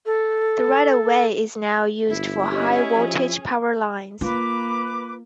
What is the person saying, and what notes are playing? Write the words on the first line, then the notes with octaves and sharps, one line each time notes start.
The right-of-way is now used for high-voltage power lines.
A4
G1 E4
C#4 G4 G#4 D#5
F3
A#3 F4 B4 D6